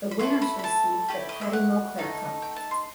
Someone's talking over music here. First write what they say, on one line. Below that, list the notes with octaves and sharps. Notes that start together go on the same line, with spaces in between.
The winners received the Paddy Moclair Cup.
B5
A3 E4 A4 C6
B5
B5
A5
A3 E4 G4
D#5
E5
F#5
A3 D#4 A4
G5
A5
C6